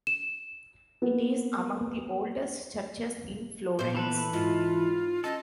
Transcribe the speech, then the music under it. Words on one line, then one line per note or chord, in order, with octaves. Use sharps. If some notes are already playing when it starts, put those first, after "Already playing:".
It is among the oldest churches in Florence.
E7
A#3 B3
A#2 B3 C5
E3 A4 B4
G#2 E4 F4
C#4 A4 D#5